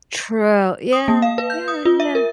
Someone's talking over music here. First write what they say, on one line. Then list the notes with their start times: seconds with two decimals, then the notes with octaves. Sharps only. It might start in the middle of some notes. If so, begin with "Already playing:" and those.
True. Yeah. Yeah, yeah.
0.93 D#6
1.08 A#3
1.22 F5
1.38 B4
1.50 G6
1.68 D#6
1.85 F4
2.00 E5
2.15 A#4